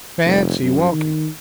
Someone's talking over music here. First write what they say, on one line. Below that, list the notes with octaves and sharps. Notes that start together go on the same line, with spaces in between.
Fancy walking!
F1
F#2
D#3